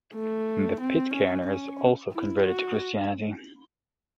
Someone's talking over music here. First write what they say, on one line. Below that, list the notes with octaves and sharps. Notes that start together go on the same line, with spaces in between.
The Pitcairners also converted to Christianity.
A3
C4
C#4
C#4
E4
F#4